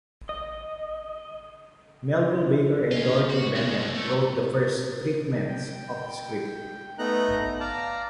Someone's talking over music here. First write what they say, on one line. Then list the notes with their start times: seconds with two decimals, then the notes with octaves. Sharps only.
Melville Baker and Dorothy Bennett wrote the first treatments of the script.
0.29 D#5
2.92 C#4 F4
3.30 F#4
3.55 C#3 G#3
3.77 F#2 B2
3.94 C#2 A3
5.49 G5
6.98 A3 B3 D#4 A#5 F#6
7.60 D5 F5 A5 A#5